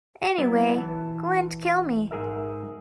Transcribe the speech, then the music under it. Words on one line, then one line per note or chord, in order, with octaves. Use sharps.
Anyway, Gwen'd kill me.
F#3 B3 E4
E3 A5
G#2 G#4 A#4 E5